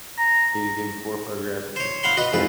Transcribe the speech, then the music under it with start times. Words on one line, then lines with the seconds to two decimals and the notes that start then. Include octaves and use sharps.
He was given four photographs to choose from.
0.18 A#5
1.76 C5 C#5
2.03 F5 F#5 B5 C6
2.17 F#4 B4 D#5
2.33 C2 F2 G#2 B4